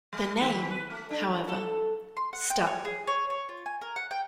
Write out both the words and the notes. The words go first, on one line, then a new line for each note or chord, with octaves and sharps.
The name, however, stuck.
G3
D#3
B4
A3
D4
E2
A4
C6
F#5
G5
C#5
G#4
C#5
C#5
F4
G#5
A#4
F#5
G5